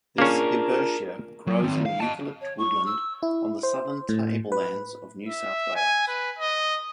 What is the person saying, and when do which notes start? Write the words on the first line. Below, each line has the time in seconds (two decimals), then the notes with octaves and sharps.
This hibbertia grows in eucalypt woodland on the Southern Tablelands of New South Wales.
0.18 A#3 C#4 D4 F4 G#4 A#4
1.47 F#3
1.62 D#3 C4
1.86 F5
2.01 D#5 A5
2.41 C#5
2.58 C#6
2.85 E6
3.23 E4
3.63 C5
4.09 A2
4.52 B4
5.28 E5
5.76 G#5
6.08 B4
6.39 D#5